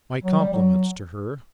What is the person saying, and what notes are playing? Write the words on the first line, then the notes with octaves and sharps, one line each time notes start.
'My compliments to her.
F#3
G3
F#3